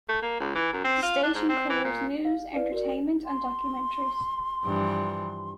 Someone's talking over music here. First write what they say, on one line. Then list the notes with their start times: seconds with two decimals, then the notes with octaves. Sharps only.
The station covers news, entertainment, and documentaries.
0.09 A3
0.22 A#3
0.40 C#2
0.55 E3
0.73 F#2
0.85 C4
1.03 F4
1.23 D4
1.35 G#2
1.49 C4
1.70 E3
1.85 A#2
2.25 F5
2.54 E4 B4 D5 F5
2.72 F#4 A#4 D5
3.26 C6
4.65 G2 E3 F3